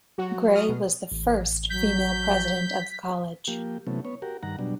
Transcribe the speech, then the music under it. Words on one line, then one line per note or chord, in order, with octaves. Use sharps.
Gray was the first female president of the college.
F#3 F#4
D#6 F6
B2
A1
F#3 G6 B6
F3 A#3 G4
C3 E3 F#3 A3 B3 C#4
B3 C#5
F#4 G4 A#4
G2 D#3 F#5 A#5
B2 F#3 G3 D4